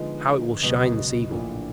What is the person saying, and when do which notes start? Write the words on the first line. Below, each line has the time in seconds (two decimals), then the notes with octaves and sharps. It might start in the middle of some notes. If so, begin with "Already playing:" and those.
"How it will shine this evening!"
Already playing: D3 F3 G#3 B3 D#4
0.62 C#2 B2 F#3 B3
1.32 A#1 A2 F3 A#3 D4